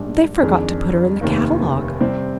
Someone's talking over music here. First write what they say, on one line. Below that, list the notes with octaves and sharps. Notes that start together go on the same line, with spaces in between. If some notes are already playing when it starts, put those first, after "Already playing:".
"They forgot to put her in the catalogue."
Already playing: A#1 G#2 G3 D4 G#4
F2 D#3 G#3 D4 G#4
F1 D#2 D#3 A#3
C3 G3 C4